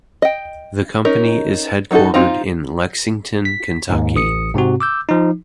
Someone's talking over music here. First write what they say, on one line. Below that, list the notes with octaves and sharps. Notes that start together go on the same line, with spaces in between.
The company is headquartered in Lexington, Kentucky.
D#5 G5
C#4 D#4 A#4
F#3 B3 D#4 F#4 A4
C4 D#4 F4 A#5
B6
D#2 G#2
A1 D#6 C#7
G#2 C3 C4 F#4
D6 E6 G6
F3 D#4